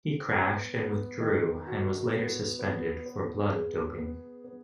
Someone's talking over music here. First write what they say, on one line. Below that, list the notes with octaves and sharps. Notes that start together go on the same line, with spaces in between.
He crashed and withdrew and was later suspended for blood doping.
B3
B3
D#3
F#4
B3
B3
B3
G#4
B3
B3